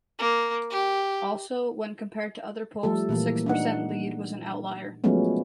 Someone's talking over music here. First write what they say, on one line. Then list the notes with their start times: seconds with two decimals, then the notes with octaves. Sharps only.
Also, when compared to other polls, the six percent lead was an outlier.
0.19 A#3
0.70 G4
2.83 F3 G3 A3 A4
3.09 A#2 E3 A#3
3.46 D4 D#4 F#5
5.04 F3 F#3 G#3 A3 B3 C#4